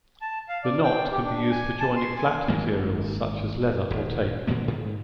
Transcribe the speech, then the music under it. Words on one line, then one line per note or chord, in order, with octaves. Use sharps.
The knot can be used for joining flat materials such as leather or tape.
A5
F5
D5
G5
G4
D4
G#5
A5
C6
G#5
G#1 D#3 G#3 A#3
D#1
A#2 D3 G#3 A#3
G#2